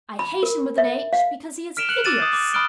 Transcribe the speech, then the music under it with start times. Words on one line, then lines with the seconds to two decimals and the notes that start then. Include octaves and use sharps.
I hate him with an H, because he is Hideous.
0.19 B5
0.43 A#4
0.78 E5
1.13 F5
1.77 F6 B6 D7 E7 F7 G7
1.89 F#6 C#7 F#7
2.04 D6 E6 A6 D#7 E7 F#7
2.18 D#6 G6 C7
2.33 D6
2.54 B5 D#6 F6 F#6 D7 G7